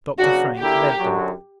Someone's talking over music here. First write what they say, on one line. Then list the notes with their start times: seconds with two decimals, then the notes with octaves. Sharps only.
Dr. Frank led them.
0.18 C#3 F#3 B3 D4 F#4
0.58 D3 A#3 E4 G4
0.98 F#2 D3 F#3